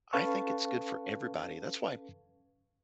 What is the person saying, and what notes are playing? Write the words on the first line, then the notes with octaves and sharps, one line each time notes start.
I think it's good for everybody. That's why
C#4 A4 B4 F5 A5 C#6